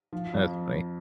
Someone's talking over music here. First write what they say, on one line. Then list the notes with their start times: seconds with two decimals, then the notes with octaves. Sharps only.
That's funny.
0.13 F3
0.33 F2